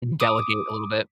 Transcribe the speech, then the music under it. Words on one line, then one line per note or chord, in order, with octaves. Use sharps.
Delegate a little bit.
D6 D#6